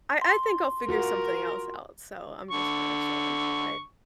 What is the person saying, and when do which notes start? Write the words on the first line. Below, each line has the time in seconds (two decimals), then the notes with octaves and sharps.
I I think I'll figure something else out. So I'm just kinda chilling, but
0.21 C6
0.89 F4 F#4 A#4
2.51 D3 C#6